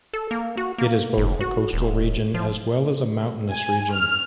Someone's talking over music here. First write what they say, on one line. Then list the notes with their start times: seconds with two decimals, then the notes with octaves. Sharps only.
It is both a coastal region as well as a mountainous region.
0.14 A4
0.31 A#3
0.57 F#4
0.78 A#3
1.18 F#1
1.41 F#4
1.73 D#1
2.34 F3
3.50 G#5
3.92 F6